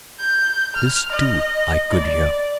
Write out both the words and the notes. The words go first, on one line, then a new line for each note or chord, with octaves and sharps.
This, too, I could hear.
G6
F6
D#5
D5